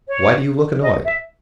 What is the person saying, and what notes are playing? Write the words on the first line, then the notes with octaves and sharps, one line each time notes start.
Why do you look annoyed?
C#5
D#5
E5